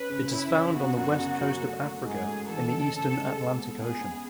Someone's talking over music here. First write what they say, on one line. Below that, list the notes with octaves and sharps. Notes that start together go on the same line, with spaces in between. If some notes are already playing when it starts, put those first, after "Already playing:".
It is found on the west coast of Africa in the eastern Atlantic Ocean.
Already playing: C#4 B4
C#3
C#4 E4
C#4
B3 F#4
F#2
C#3
F#3
A3
A3
G#2 G#4
A3
E3 A4
C#3
C#3
G#3
G#3
B3
B3 G#4
B3